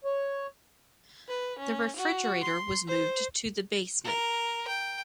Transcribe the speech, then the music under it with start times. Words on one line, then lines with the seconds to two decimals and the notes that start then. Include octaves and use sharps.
The refrigerator was moved to the basement.
0.04 C#5
1.29 B4
1.59 C#4
1.97 F#4
2.41 C6
2.88 C5
4.04 A#4
4.68 G5